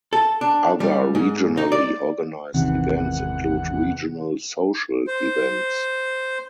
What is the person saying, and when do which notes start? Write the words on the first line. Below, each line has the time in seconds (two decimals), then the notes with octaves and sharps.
Other regionally organised events include regional social events.
0.13 A4
0.41 D4
0.80 G3
1.15 G#2
1.58 D#4
1.72 D5
2.54 G#1 E2 C3 D#3 E3 C#4 F#5
5.07 C5